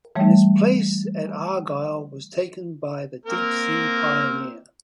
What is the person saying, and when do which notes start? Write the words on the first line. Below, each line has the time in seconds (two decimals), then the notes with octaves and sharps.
And its place at Argyll was taken by the "Deepsea Pioneer".
0.16 E3 G3 A3 C#5 G5
3.26 A#3 C4 A#4